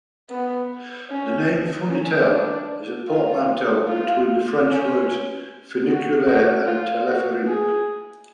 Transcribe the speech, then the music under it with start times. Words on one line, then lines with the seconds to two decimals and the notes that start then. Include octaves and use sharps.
The name "funitel" is a portmanteau between the French words "funiculaire" and "telepherique".
0.30 B3
1.10 C#4
1.89 C#4
2.29 D4
3.08 F4
3.88 F4
4.68 C#4
5.87 F#4
6.27 F#4
6.66 F4
7.06 F#4
7.46 G#4